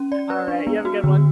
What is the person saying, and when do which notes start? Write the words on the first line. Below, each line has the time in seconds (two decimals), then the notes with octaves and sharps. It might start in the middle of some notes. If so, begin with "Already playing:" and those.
alright, you have a good one.
Already playing: C#4
0.12 D5
0.30 B4
0.48 D4
0.67 B3
0.85 F#4
1.04 D3